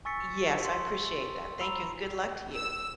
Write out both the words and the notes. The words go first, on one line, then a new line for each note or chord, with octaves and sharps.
Yes, I appreciate that. Thank you and good luck to you.
G#5 C#6 E6 A6 B6 C#7
C6
A#5 B5 E6 C7 F7
E6